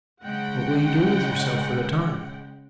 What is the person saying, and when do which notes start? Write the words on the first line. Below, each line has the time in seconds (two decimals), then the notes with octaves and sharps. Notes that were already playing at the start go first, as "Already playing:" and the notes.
"What will you do with yourself for the time?"
0.23 C#3 G#3 F#5 G5